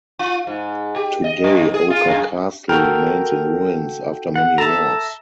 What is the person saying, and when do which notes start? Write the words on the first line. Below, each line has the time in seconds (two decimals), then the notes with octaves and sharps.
Today Oka Castle remains in ruins after many wars.
0.19 F4
0.47 G#2
0.96 G4
1.24 D#5
1.44 F#2
1.74 G#4
1.90 F4
2.08 F#2
2.69 F#4 A4 A#4 G5
4.36 F#5
4.58 A4 E5 A5 A#5